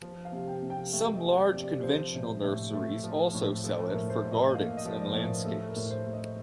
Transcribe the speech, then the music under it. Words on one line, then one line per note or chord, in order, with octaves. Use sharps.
Some large conventional nurseries also sell it for gardens and landscapes.
F3
F5
C3
G5
C3
G5
A3
D#5
F3
D5
C3
D5
F3 C5
A2
A2
A3
F3
A2
F3 A4
A#4
A2
C5
A2
D#5
D#5
A#3 F5
D#5
F3
D5
A2
A#4
A3 A4
A#4
A2
C5
A3
D#5